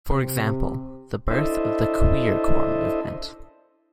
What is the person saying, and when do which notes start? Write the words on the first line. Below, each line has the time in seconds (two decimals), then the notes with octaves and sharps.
For example, the birth of the Queercore movement.
0.14 C3
1.30 D4 E4 A4 C5 D#5 E5